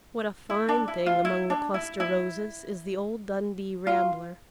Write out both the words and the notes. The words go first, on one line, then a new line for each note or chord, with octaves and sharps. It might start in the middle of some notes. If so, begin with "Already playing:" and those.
What a fine thing, among the cluster Roses, is the old Dundee Rambler!
E4
D4
E4
F4
E4
D4
E4
E4
F4